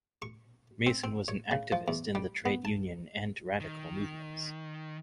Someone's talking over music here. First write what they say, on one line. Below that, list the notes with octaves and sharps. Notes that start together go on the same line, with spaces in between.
Mason was an activist in the trade union and radical movements.
C#6
C4
C4
C#5
C#3
F3
E2
G3
B3
A5
D#3